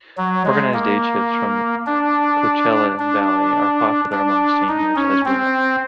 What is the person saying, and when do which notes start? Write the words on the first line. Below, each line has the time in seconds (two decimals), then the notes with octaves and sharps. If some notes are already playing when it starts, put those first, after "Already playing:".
Organized day trips from the Coachella Valley are popular among seniors as well.
0.17 F#3
0.45 G#3
0.74 A#3
1.86 D4
2.99 D4
4.12 D4
4.69 D#4
4.96 C#4
5.25 C4